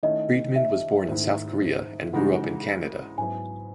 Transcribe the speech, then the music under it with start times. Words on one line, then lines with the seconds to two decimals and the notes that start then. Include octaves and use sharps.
Friedman was born in South Korea and grew up in Canada.
0.03 D#3 A3 C#4 E4 D#5
0.56 E5
1.09 G#2 D#3 A3 E4
2.13 C#3 E3 G#3 D#4 F#4 F#5
3.18 G#2 F#3 B3 E4 G#5